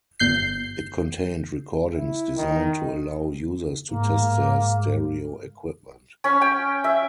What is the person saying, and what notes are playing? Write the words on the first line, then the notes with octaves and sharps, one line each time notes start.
It contained recordings designed to allow users to test their stereo equipment.
G1 G6 C7
E4
D#3
G#2 A#3
C#4
G5
E5